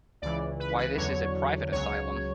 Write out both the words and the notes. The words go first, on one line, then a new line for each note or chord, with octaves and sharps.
Why, this is a private asylum!
C#2 C#3 E3 D5
B4
B4
E2 D3 F#3 C#5
C#2 C#3 F#3 C#5